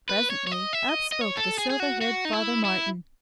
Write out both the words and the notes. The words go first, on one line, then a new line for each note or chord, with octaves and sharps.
Presently up spoke the silver-haired Father Martin.
B4
C#5
C#5
D#5
E5
D#5
D#5
C#5
A4
G#4
G#4
F#4
F#4
D#4
E4
E4